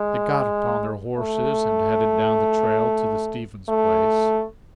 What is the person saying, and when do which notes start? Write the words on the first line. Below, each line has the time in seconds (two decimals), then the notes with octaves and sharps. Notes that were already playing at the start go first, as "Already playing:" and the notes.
They got upon their horses and headed down the trail to the Stevens place.
Already playing: G#3
1.19 A3
3.69 A3